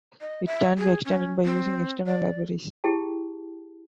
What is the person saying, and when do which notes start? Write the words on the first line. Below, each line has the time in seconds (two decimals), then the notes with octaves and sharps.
It can be extended by using external libraries.
0.21 D#5
0.46 E5
0.78 G#4
1.05 C#4
1.45 C4
2.06 D5
2.84 E4 G4 G#4 G5 A5